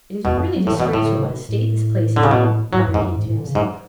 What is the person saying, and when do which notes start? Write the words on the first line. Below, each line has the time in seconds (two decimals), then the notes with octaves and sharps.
"It is really disgraceful what a state this place is in," muttered he to himself.
0.25 E2 B2
0.36 F#2
0.56 F#3
0.66 A2 E3
0.80 B2
0.87 D3
0.93 A2
1.08 D3
1.18 C#3
1.29 B2
1.49 A2
2.16 D3
2.23 C#3
2.31 B2
2.73 G#2 F#3
2.86 F#2
2.94 G#2
3.00 F#2
3.15 G#2
3.25 A2
3.35 D3
3.45 C#3
3.55 G#2